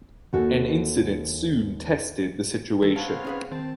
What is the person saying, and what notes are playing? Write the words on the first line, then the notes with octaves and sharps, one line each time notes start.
An incident soon tested the situation.
D#2 F#4 A4
D#3 A4
B3 C4 C#5 F5 A5
C2 C#4 G#4 B4
D#3 C4 A5